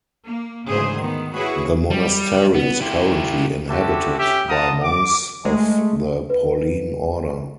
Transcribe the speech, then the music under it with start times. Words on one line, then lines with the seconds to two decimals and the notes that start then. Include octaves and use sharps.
The monastery is currently inhabited by monks of the Pauline Order.
0.25 A#3
0.68 D2 G#2 C#3 E3 G#4 C5
0.97 D#3 B3
1.35 E4 F#4 G#4 B4 C#5
1.90 G3
2.54 B3
2.81 E4 G4
3.69 C4 D4 E4 F#4 G4 A4
4.17 C#4 G4 E5
4.48 F4 F5 F#5 A5 A#5 D#6
4.82 D6
5.45 G#3 A3
6.30 B4